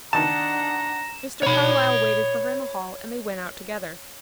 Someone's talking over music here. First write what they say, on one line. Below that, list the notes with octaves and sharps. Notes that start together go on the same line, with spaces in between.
Mr. Carlyle waited for her in the hall, and they went out together.
D#3 D4 F#5 A5 A#5 E7
C#5 B5